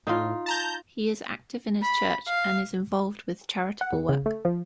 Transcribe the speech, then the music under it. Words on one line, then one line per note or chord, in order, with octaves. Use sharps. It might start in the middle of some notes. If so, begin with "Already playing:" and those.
He is active in his church and is involved with charitable work.
A2 D#4 F4
A5 A#5 G6
B5
F5
F#5
E2
C#3
A3
F3